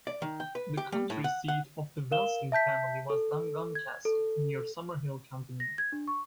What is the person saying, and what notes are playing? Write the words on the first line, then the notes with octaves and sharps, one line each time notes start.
The country seat of the Wellesley family was Dangan Castle, near Summerhill, County Meath.
D5
D#3
G5
B4
G4
G3
A2
F#5
F#5
A#4 F5 E7 G7
E5 A5 G6 B6
A4
G#6
A4
A#6
G#6
D4
C#6